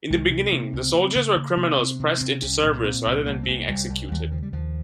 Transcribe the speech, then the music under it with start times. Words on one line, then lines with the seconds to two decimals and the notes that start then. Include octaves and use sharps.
In the beginning the soldiers were criminals pressed into service rather than being executed.
0.10 C2 G#3
0.30 C3 C#4
0.42 C4
0.52 C3 A#3
0.63 A#3
0.73 C#2 C#4
0.83 C4
0.94 C#3 A#3
1.04 C4
1.15 C#3 A#3
1.36 C#3
1.57 C3 A#3
1.79 C3 C4
2.00 C3 C4
2.08 C#4
2.18 C3 C4
2.42 C2 C#4
2.63 A#2
2.84 A#2 C4
3.06 C2
3.26 C2 A#3
3.43 C4
3.47 C2 A#3
3.68 C2 G3
3.90 C2
4.11 D#2 G3
4.22 D#3
4.31 C#3 F3
4.42 G3
4.52 D#2 F3